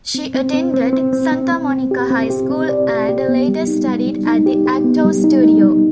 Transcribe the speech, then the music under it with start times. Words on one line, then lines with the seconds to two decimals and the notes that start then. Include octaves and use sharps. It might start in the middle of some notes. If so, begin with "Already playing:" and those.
She attended Santa Monica High School and later studied at the Actors Studio.
0.15 C4
0.34 C4
0.54 C4
0.74 C4
0.93 C4
1.13 C4
1.32 C4
1.52 C4
1.71 C4
1.91 G4
2.10 C4
2.30 G4
2.50 C4
2.69 D5
2.89 G4
3.09 G4
3.29 B3
3.48 G3
3.67 D#4
3.87 G3
4.07 G3
4.27 D#4
4.46 G4
4.66 G4
4.85 B3
5.05 G3
5.24 D#4
5.43 D#4
5.63 G3